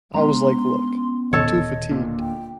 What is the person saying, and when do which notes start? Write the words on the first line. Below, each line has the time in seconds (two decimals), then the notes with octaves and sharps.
I was, like, look, I am too fatigued.
0.14 G#3 B3 C#4 D4 A#5 C6
1.33 D1 A#2 D#3 A4 C#5 D#5
1.91 D3 A#3 F4
2.20 G5